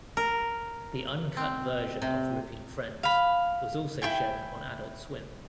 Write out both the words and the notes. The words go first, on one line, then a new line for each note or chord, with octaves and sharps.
The uncut version of Ripping Friends was also shown on Adult Swim.
A#4
C4
C3
F5 B5
E4 F4 G5 G#5